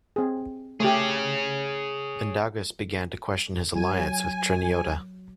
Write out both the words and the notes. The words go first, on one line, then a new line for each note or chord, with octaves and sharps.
Mindaugas began to question his alliance with Treniota.
C4 G#4
A3 G4 G#4 C#5
F#3 G#5